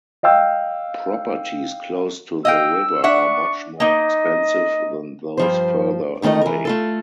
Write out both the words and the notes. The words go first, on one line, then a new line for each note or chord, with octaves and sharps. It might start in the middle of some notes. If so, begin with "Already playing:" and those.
Properties close to the river are much more expensive than those further away.
D#5 F5 G5 E6
D#5 F5 G5 E6
D4 E5 F#5 C#6
A#3 D#4 D#5
G2 F3 C5
D2 D#3 A3 C5 D#5
E3 A#4
A3 F4 A4